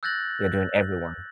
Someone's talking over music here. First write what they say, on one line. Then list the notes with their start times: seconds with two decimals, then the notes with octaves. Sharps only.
you're doing everyone
0.03 E6 F#6 G6 A6 A#6 F#7